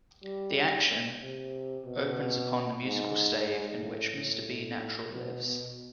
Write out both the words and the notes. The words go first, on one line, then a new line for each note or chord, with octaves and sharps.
The action opens upon the musical stave in which Mr. B Natural lives.
G3
C3
B2
G#2
G#2
A2
A2
B2
B2